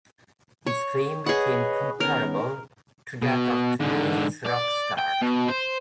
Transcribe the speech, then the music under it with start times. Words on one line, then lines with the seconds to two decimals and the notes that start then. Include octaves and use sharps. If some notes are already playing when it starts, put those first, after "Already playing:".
His fame became comparable to that of today's rock star.
0.67 C#5
1.26 G#4 B4 C#5 D#5 F#5
2.00 D#3 B3 C#4 A#4
3.22 B2
3.80 G#2 D3
4.45 D5
4.99 G5
5.22 B2
5.49 C5